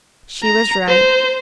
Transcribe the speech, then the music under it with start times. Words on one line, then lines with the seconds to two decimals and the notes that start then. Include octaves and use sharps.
She was right.
0.43 A#5
0.88 C5